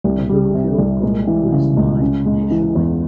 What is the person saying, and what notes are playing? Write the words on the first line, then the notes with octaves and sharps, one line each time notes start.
Alluvial gold was mined initially.
C2
G3
C3
C2
G#3
E3
C#3
C#2
C#4
G#3
E3
E2